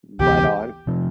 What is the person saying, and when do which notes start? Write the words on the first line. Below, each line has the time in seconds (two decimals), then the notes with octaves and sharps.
Right on.
0.20 D2 C3 E3 B3 G4
0.87 C3 F3